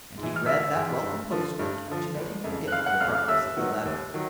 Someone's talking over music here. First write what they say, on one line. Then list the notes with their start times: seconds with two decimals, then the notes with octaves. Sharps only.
And he read that welcome postscript, which made him forget the abruptness of the letter.
0.18 G#2
0.23 E3
0.36 F6
0.46 A1 E5 E6
0.74 G#2 E3
1.02 G2
1.31 D3 F3
1.59 G2
1.88 D3 F3
2.16 F#1
2.44 F2 C#3
2.67 F#6
2.72 F#1 F5 F6
2.86 F#5 F#6
3.01 F2 C#3 F5 F6
3.15 F5 F6
3.28 D#2 E5 E6
3.57 D#3 F#3 B3 D#4
3.85 D#2
4.14 D#3 F#3